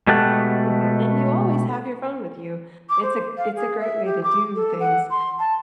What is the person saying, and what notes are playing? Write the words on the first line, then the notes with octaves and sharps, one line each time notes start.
Mhm, and you always have your phone with you. It's a it's a great way to do things.
B2 G#3 A3 G4 A4 F#5
D6
C5
F5
G#4
E5
G4
D6
A4
F#5
C6
A5